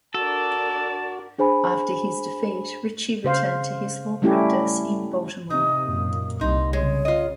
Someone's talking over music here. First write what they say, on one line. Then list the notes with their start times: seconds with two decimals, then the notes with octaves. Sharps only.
After his defeat, Ritchie returned to his law practice in Baltimore.
0.14 D4 F#4 A4 A#4 D5 A5
1.38 D4 G#4 C5 G#5 B5
3.24 C#3 C5 F5
4.22 G3 A3 C#4 E4 G4
5.50 C3 D#4 D#6
5.84 F#2 A#2 A#3
6.41 C2 D#4 C6
6.73 C#3 G#3 C#5
7.05 F4 D#5